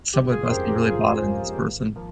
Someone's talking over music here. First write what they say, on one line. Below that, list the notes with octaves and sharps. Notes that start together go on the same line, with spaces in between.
Someone must be really bothering this person.
G1 G4
F4 G#4
C5
F2 C#3 G#3 G4 A#4
G4 A#4
G1 F4 G#4
F2 C#3 G#3
G#1
F3 A#3